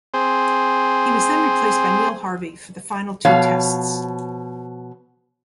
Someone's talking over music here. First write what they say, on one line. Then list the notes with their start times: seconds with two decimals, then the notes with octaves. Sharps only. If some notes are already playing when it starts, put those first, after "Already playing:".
He was then replaced by Neil Harvey for the final two Tests.
0.14 C4 G#4 C5
3.25 B2 F3 C#5 F5